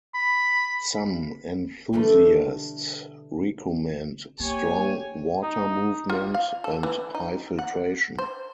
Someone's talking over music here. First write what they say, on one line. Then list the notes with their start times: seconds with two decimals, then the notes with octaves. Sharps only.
Some enthusiasts recommend strong water movement and high filtration.
0.14 B5
1.93 B2 D3 E3 G3 A3
4.40 A#3 G4 C#5 G#5
5.43 D#4
6.10 F4
6.34 F5
6.64 A4
6.83 E3
7.15 D#4
7.59 F#5
8.18 C5